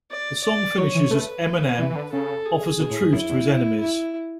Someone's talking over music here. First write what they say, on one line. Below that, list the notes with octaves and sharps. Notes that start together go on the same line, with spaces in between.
The song finishes as Eminem offers a truce to his enemies.
D5
D5
F#3 C#5
E3
A3 B4
E3
E3
D3
C#3 A4
G#4
B2
A2
G#2
F#2 E4
E2
E4